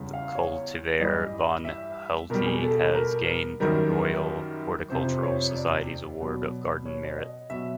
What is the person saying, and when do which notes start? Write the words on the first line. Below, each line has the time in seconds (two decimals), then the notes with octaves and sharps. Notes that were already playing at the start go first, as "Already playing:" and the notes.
The cultivar 'Van-Houttei' has gained the Royal Horticultural Society's Award of Garden Merit.
Already playing: E2 C#3 E3 G3
0.14 F5
0.35 C#5
1.00 G2 E3 G3 D#5
1.65 E5
2.30 B2 G3 A#4
2.46 G#4
2.63 A4
2.79 A4
2.95 A#4
3.60 F#2 D#3 G3 A#4
4.90 F2 C3 F3 C5
5.12 C5
5.23 C#5
5.55 D5
6.20 B2 F#3
6.86 C#5
7.18 D#5
7.50 B2 F#3 E5